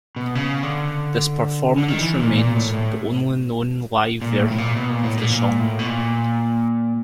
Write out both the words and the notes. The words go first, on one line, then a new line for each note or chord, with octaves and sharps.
This performance remains the only known live version of the song.
B2
C#3
D3
D3
D#3
E3
A#2
A#2
A2
A2
A#2
A2
A2
A#2
B2
A#2
A2
A#2
A#2
A2
B2
A#2